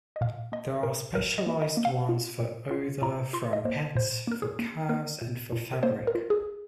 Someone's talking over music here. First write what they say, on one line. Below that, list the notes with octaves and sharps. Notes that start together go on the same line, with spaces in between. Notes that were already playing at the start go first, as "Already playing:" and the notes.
There are specialized ones for odor from pets, for cars, and for fabric.
D#5
A#2 F5
A#3 D#5
A#2 A#4
A#2 A#4
D#5
A#3
D#5
A#3
F5
F4
A#2
F4
A#2 A#5
F4 C6
D#5
A#3 C5
A#2 C5
A#3 A#4
G#4
A#3
A#3 A#4
A#2
A#2
A#4
A#3 C5
A#4
F4
G#4